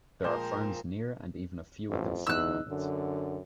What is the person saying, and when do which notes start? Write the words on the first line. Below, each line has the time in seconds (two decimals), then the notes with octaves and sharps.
There are farms near and even a few within city limits.
0.24 A#2 F3 G#3 A#4 C5 G5 G6
1.90 A1 F2
2.27 E2 D#4 E6 F#6
2.70 F#2 D3